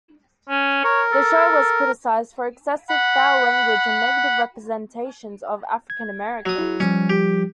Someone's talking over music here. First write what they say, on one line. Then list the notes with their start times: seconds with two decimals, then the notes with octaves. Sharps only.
The show was criticized for excessive foul language and negative representations of African Americans.
0.49 C#4
0.84 A#4 C#5
1.12 A4
2.89 F#5 B5
5.90 G#6
6.46 F#3 D#6
6.58 E4 G#4
6.80 F3 G3 C#4
7.10 G4